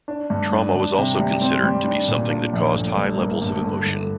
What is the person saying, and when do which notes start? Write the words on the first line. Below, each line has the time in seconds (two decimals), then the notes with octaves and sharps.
Trauma was also considered to be something that caused high levels of emotion.
0.08 D4
0.30 G2
0.53 D4
0.75 G2
0.98 C3
1.19 G3
1.41 C4
1.63 G3
1.87 D4
2.08 A#2
2.31 D4
2.53 A#1
2.75 G1
2.97 G2
3.19 A#3
3.42 G2
3.64 D3
3.86 G1